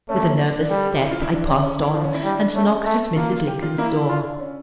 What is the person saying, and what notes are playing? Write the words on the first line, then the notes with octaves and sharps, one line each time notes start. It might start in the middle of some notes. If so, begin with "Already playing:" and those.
With a nervous step I passed on, and knocked at Mrs. Lincoln's door.
A3 C#4
A#3
C#4
D4
D4
D4
G3 A4
G4
E4
F4
E4
D4
C#4
C#4
E4
F3 D4
C#4
E4
G3 D4
D4
A3 C#4
A3
A#3 F4
F4
G4
F4
A#3 E4
D4 F4
C#4